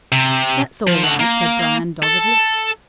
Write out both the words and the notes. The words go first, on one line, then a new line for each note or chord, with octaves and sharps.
"That's all right," said Bryan doggedly.
C3
F3
A3 F#5
A#3
A4